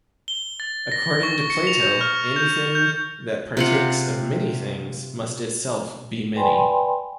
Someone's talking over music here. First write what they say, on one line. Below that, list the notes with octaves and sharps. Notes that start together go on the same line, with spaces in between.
According to Plato, anything that partakes of many things must itself be many.
G7
A6
A#6
C#6
C#7
F7
G6
F6
G6
G6
C3 F4 F#5
B4 D5 G5 G#5 B5 C6